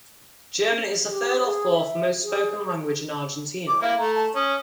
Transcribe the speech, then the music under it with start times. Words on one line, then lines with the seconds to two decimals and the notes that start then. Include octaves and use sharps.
German is the third or fourth most spoken language in Argentina.
1.07 G4
1.45 G#4
1.73 E5
2.24 G#4
3.67 D6
3.82 A#3 E4 F5
3.98 A3 A#5
4.16 A5
4.35 C#4 D#6